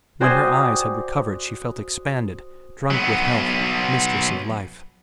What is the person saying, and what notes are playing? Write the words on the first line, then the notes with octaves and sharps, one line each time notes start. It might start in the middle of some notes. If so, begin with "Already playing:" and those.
When her eyes had recovered she felt expanded, drunk with health, mistress of life.
F#4 C5 D5 G5 G#5 D#6
F#3 B3